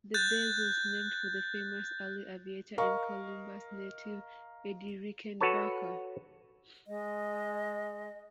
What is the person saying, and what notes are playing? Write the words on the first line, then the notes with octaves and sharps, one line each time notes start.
The base was named for the famous early aviator and Columbus native Eddie Rickenbacker.
F#6 G6 A6
A#4 D#5 F5 C#6
F#4 A4 B4 C#5 A5
G#3 D#5